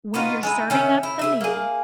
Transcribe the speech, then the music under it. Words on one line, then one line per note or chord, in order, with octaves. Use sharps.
when you're serving up the meal,
B3 D#4 F4 F#4
G#3 D#4 E4
D#3 C#4 E5
E4
G4 B4 E5
A#3 G#4